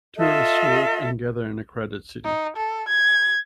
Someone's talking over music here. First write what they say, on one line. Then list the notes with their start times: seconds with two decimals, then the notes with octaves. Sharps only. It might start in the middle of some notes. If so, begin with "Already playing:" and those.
Tourists walk and gather in a crowded city.
0.17 F4 A4 D#5 E5
2.25 D#4
2.56 A4
2.88 G#6